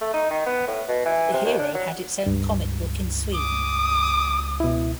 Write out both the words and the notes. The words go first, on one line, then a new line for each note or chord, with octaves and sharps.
The hero had its own comic book in Sweden.
A3
D#4
D#3
B3
A2
B2
E3
C3
D#2
D4
F#3
C#2 G2
D6 D#6
B2 E4